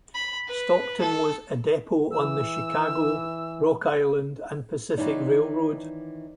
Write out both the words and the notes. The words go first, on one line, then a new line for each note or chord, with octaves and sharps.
Stockton was a depot on the Chicago, Rock Island and Pacific Railroad.
B5
B4
A4
E3 E6
D#3 E3 B3 D#4 C#5 D5